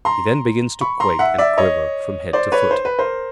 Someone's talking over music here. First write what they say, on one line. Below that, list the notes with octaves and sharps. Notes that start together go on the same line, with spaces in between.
He then begins to quake and quiver from head to foot.
A#5 C6
B5 C#6
A#5 C6
E5 F#5
D5 E5
C#5 D#5
C5 D5
B4 C#5
C5
B4
A#4 C5